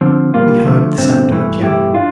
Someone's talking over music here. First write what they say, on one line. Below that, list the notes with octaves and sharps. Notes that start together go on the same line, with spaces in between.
We heard the sound of a piano.
D3 F3 C4
A#2 G3 A#3 F4
D3 F3 A3
G2 D3 A3 C4
G2 E3 A3
G2 E3 A3 E4 G4
D4 F4